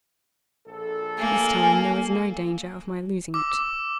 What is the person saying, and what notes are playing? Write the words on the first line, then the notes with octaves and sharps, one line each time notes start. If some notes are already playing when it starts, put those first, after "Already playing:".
This time there was no danger of my losing it.
A#1 A4
A#3 G#5
D6 E6